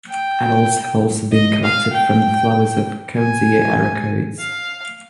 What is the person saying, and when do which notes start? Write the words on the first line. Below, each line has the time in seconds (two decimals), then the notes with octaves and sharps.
Adults have also been collected from the flowers of "Kunzea ericoides".
0.09 G5
1.32 D#5
1.63 F5
1.93 G5
3.16 G#5
4.39 F5